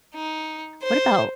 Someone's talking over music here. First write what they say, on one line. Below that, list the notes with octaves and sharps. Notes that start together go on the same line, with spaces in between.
what about,
D#4
C5